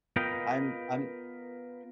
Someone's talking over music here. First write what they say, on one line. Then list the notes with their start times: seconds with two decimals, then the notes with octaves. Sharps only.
I'm I'm
0.16 B3 F4 A#4 B4 D#5 G5